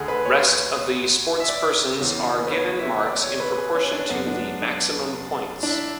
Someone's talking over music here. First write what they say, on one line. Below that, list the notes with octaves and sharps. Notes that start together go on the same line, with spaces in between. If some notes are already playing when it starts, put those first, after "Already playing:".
Rest of the sportspersons are given marks in proportion to the maximum points.
Already playing: D2 D3 G#4
B4
C#5
E5
D5
E2 C#3 E3
B4
C#5
E5
D5
C#5
B4
G#4
C#4
D4
F#2 D3 B3
D4
D4
D4
E4